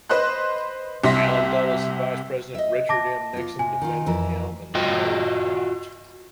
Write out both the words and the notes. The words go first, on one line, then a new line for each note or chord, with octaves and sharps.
Allen Dulles and Vice President Richard M. Nixon defended him, and the matter dropped.
B4 C5 D#5 C6 F#6
C2 C3 E5 C6 A#6 B6
D#5 E5
A5 D6 A#6
B3 F4
C3 G#5
D#3 F4
F2 E3 A#4
F4 F#4 D#5 G5